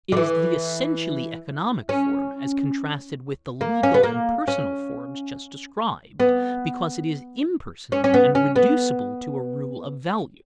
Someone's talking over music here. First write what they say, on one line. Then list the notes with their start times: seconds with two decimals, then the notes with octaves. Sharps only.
It is the essentially economic form, as contrasted with the legal and personal forms just described, because it is impersonal and reducible to a rule of value.
0.12 D3
0.17 E3
1.89 C#4
3.61 A#3
3.83 C#4
3.94 B3
4.03 A#3
4.48 C#4
6.20 B3
7.92 C#4
8.04 C#4
8.14 B3
8.35 C#4
8.56 B3